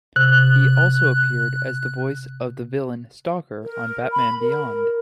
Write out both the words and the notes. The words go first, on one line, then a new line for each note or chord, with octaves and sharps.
He also appeared as the voice of the villain Stalker on "Batman Beyond".
C3 F#6
A#4
B5
A#4